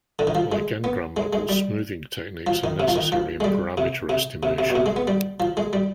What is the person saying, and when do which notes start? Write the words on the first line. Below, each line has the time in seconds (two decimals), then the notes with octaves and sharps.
Like N-gram models, smoothing techniques are necessary in parameter estimation.
0.19 D3
0.27 D#3
0.35 F3
0.52 G#3
0.84 B3
1.17 G#3
1.33 G#3
1.49 G3
2.47 F3
2.64 D#3
2.80 C3
2.88 F3
2.96 D#3
3.12 F3
3.40 G#3
3.44 G3
3.77 C3
4.09 C3
4.43 C3
4.59 C3
4.70 B2
4.75 C3
4.86 G#3
4.96 B3
5.07 G3
5.40 F3
5.57 G#3
5.73 G3